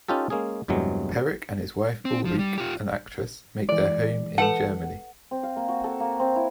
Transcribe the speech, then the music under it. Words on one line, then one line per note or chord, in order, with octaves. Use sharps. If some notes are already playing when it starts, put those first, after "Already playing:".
Perick and his wife Ulrike, an actress, make their home in Germany.
C#4 D#4 F4 G4 A4
G#3 A#3 C#4 G#4
E2 G2 C3 F#3 G#3
C4
F3
G3
F4 G4
E3 G#3 D5
A4 B4 F#5 A5
C4
F5
A#3
F#4
A4
A#3
C4
E4